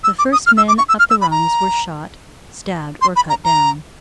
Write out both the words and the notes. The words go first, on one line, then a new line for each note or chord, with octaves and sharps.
The first men up the rungs were shot, stabbed, or cut down.
E6
D6
D#6
F6
E6
D6
C#6
E6
F6
E6
B5
A#5
C6
B5
A#5
A#5